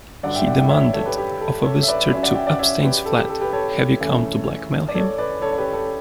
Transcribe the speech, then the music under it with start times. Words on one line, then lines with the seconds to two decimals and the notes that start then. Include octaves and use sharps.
He demanded of a visitor to Epstein's flat, Have you come to blackmail him?
0.23 G2 D3 F#3 D5 F#5
0.34 E5 G5
0.47 D5 F#5
0.58 E5 G5
0.70 C#5 E5
0.93 A4 C#5
1.06 G4 B4
1.17 G4 B4
1.41 A4
1.64 A4 C#5
1.83 E5
1.88 B4 D5
2.11 C#3 F#3 C#4 C#5 E5
2.23 D5 F#5
2.35 E5 G5
2.47 D5 F#5
2.59 C#5 E5
2.82 G4 B4
3.06 A4
3.18 G4
3.29 A4
3.41 G4 B4
3.53 A4 C#5
4.00 C#3 E3 A3
4.88 D5
4.94 A4 C#5
5.18 B4 D5
5.42 A4 C#5
5.53 C#5
5.58 G4 B4
5.73 A4